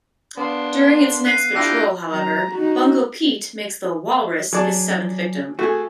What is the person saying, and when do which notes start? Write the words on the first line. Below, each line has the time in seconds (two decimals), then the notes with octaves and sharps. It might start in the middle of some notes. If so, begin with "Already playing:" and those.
During its next patrol, however, Bungo Pete makes the "Walrus" his seventh victim.
0.37 B3 D4 F5 C6
1.25 F#6 C7 D#7
1.56 D4 E4 F4 G5 D6 E6 A#6
2.10 F#3 A#5
2.52 D#4 F#4
4.53 F#3 G#4 D5 A5
5.59 A3 F#4 G#4